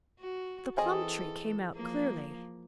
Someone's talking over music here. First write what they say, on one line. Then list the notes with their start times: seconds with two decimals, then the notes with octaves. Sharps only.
The plum tree came out clearly.
0.20 F#4
0.77 E3 C4 G#4 A4 D#5
1.74 F3 A#3